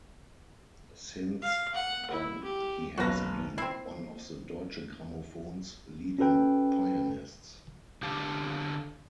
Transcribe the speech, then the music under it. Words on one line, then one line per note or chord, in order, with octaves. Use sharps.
Since then he has been one of Deutsche Grammophon's leading pianists.
F5
F#5
E4
G4
F#1 B1 F#4 B4 A#6
C4 E4 C7
C#4 F#4 A4 B4 G5
D3 G4 F5 A5